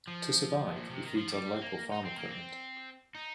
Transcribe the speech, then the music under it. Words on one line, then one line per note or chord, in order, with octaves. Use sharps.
To survive, he feeds on local farm equipment.
F3
A#2
C3
D#3
F3
G3
C4
A#3
D#4
C4
A#3
C4
D#4